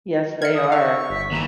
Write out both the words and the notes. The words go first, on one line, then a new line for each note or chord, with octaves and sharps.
Yes, they are.
E5 F6 G#6 C#7
D#6
F5 C#6 E6
G1 B6
D#2 E3 A#5